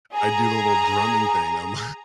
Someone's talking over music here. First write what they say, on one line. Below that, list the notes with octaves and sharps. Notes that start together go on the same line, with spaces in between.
I do the little drumming thing on my
G#4 A#5